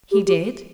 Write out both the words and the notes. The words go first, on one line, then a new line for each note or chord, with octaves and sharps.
"He did."
G4
G4